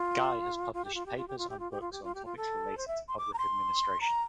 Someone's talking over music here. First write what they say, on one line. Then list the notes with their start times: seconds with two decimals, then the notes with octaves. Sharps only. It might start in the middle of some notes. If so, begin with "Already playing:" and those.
Guy has published papers and books on topics related to public administration.
Already playing: F4
0.74 F4
0.84 G4
0.95 F4
1.06 G4
1.17 F4
1.28 G4
1.38 F4
1.49 G4
1.59 F4
1.71 G4
1.81 F4
1.92 G4
2.04 F4
2.15 G4
2.25 F4
2.37 A4
2.77 C5
2.87 E5
3.08 C6
3.18 D6
3.34 A#5
3.38 C6
4.01 A#5